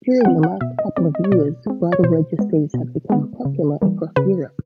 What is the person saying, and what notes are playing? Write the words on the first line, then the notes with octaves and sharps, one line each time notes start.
During the last couple of years, bridal registries have become popular across Europe.
G5
F3 G#3 C4 F#5
F#5
B2 E5
D#5
G#3 C4 D5
D#5
C#5
B2 D5
G#3 C4
C#5
B2 C5
G#3 B3
B2
G#3 B3
C#3
E3 G3 A#3
C#3 B4